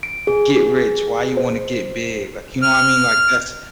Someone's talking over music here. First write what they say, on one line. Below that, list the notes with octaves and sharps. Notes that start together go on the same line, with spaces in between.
get rich, why you wanna get big. Like, you know what I mean? Like, that's
D7
G#4
C5
F6